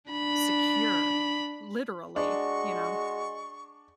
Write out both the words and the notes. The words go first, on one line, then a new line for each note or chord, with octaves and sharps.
secure, literally, you know?
D4 B5
G#3 D4 F#4 C#6